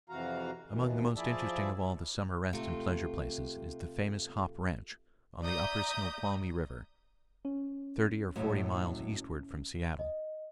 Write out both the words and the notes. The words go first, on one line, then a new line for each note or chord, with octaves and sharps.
Among the most interesting of all the summer rest and pleasure places is the famous "Hop Ranch" on the upper Snoqualmie River, thirty or forty miles eastward from Seattle.
F2 C3 E3 F#4 F5 A#5
D#2 B2 D#3 E3
F3 E4 G#4 D5 E5 A5
C3 A3 F4 G4
D5 E5 A#5 D#6 G6
C#4
D#2 A2 F#3
D#5